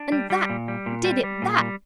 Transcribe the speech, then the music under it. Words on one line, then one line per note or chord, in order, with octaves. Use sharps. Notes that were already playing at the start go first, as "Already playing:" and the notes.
And THAT did it--that!
Already playing: D4
G3
G3
A#2
G3
A#2
G3
G3
A#2
G3